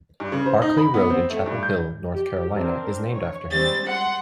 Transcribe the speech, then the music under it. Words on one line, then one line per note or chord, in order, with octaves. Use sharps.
Barclay Road in Chapel Hill, North Carolina is named after him.
G2
C#3
C5
D#4
B5
B3
C4
A3
G2
G6
G4
C4 D4 A#4
C#5
G3 G#3 C4 A6
F#5 C6